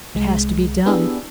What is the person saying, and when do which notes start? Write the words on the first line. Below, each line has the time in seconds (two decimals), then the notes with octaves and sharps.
It has to be done.
0.15 C2 G#3
0.86 B3 D4 E4 G4 G#4 E5